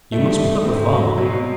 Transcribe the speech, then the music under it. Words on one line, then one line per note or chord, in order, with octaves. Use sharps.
You must put up a fight.
G2 A3
A3
G#2 C4
F#3
B2 F#3